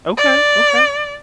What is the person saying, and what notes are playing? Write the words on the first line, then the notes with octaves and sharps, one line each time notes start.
Okay, okay.
D5